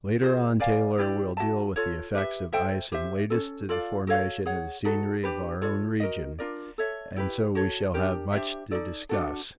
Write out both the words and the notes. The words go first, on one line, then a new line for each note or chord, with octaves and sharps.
Later on Taylor will deal with the effects of ice and lead us to the formation of the scenery of our own region, and so we shall have much to discuss.
F4 G#4 C5 D#5
B4 D5 F5 G#5
E4 G4 B4 D5
F#4 B4 E5 A5
F4 A4 C#5
G4 B4 E5
A4 C5 E5 G5
G4 C5 E5
C#4 F4 A4
F4 A4 D5 F5
F#4 A4 C#5 F5
G#4 C#5 F#5
D#4 F#4 A4
D4 G4 B4
F4 A4 C#5
F#4 A#4 D#5
D4 F4 A#4 D5
A4 C#5 E5
E4 G4 B4
F#4 A4 C#5
D4 G4 A#4
D4 G4 C5 E5
D#4 F#4 A4 D5
D4 F#4 A4